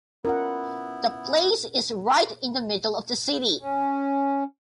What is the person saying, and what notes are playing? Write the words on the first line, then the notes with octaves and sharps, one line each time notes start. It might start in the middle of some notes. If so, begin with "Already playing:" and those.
The place is right in the middle of the city.
B3 C#4 E4 F4 A#4 F#5
C#4